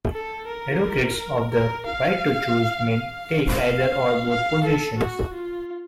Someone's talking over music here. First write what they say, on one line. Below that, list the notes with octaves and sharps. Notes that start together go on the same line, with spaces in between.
Advocates of the "right to choose" may take either or both positions.
A4
A#4
A#4
F5
F5
F5
F5
A4
F#4
F4